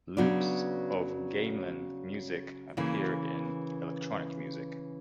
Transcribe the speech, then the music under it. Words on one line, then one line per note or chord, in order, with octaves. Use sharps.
Loops of gamelan music appear in electronic music.
C#3 F#3 B3 D4
C#3 E3 A#3